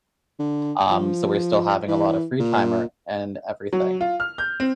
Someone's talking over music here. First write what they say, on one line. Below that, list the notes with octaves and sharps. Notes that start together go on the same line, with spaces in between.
um, so we're still having a lot of free time or and everything.
D3
F3
E3
A#2
F#3
F4
F6
G6
C4